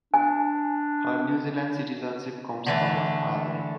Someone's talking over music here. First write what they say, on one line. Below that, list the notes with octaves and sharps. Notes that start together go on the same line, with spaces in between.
Her New Zealand citizenship comes from her father.
D4 G#5
D3 E3 A3